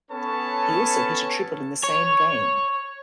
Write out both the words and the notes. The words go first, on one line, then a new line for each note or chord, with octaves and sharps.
He also hit a triple in the same game.
B3 C#4 A4 B4 C#5 A5
C#5